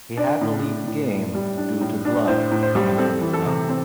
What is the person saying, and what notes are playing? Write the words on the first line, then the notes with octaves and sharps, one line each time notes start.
He had to leave the game due to blood coming from his nose.
D4 D5
A2
A2
A2
A2
G3
D4
A2
D4
A2 C5
A2
C5
G3
C4 A4
E3
A4
C3
C4 C5